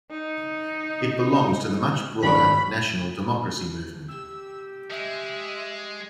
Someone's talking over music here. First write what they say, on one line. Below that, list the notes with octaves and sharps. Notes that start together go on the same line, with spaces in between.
It belongs to the much broader National Democracy Movement.
D#4
G#1 D4 C#5 B5
G4 E6
G#3 E5